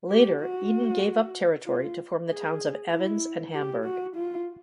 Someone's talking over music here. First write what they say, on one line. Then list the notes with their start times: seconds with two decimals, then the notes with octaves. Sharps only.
Later, Eden gave up territory to form the towns of Evans and Hamburg.
0.10 G4
0.41 F#4
1.66 F4
2.29 G#4
2.91 E4
3.53 G4
3.85 F#4
4.16 F4